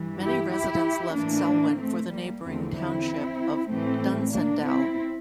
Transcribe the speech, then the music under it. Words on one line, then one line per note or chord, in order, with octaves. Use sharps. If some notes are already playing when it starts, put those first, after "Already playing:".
Many residents left Selwyn for the neighbouring township of Dunsandel.
Already playing: G2 E3
E4 G4
E4 G4
A2 E3 A#3 D4
A3 C4
G3 A#3
E2 D3 F3 A3 C4
C4 E4
A2 E3 A3 C4
A#3 D4
C4 E4